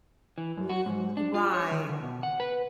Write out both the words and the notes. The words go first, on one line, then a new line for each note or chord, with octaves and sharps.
Mhm Right.
E3
F#2
F#4
G#2
D4
F4
C#5
D#3
D3
B2
F#5
B4